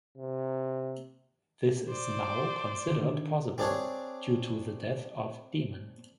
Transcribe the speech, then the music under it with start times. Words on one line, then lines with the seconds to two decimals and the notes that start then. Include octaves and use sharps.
This is now considered possible due to the death of Demon.
0.18 C3
1.90 C5 D5
2.88 D3 D#3
3.58 C4 D4 G#4 C#5